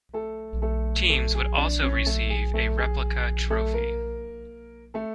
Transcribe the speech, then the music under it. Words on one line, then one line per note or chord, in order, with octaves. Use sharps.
Teams would also receive a replica trophy.
A3 A4
A3 A4
A3 A4
G#4
D4 D5
C#4 C#5
A3 A4
G#4
A3 A4
G#4
A3 A4
A#3 A#4
A3 A4